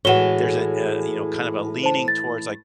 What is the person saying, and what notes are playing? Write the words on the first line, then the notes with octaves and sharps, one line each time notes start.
there's a a, you know, kind of a leaning towards, like
A2 E3 G#3 F#4 C#5 F#5 E7 G7
C5 A5
A6